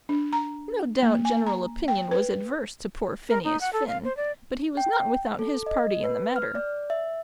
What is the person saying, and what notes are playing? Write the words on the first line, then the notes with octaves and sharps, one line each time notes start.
No doubt general opinion was adverse to poor Phineas Finn, but he was not without his party in the matter.
D4
A#5
A#3
G#5
A#5
G5
B4
A#4
D#4
F#5
A4
F5
C5
D5
G5
A4
D#5
B4
F6
D5
E5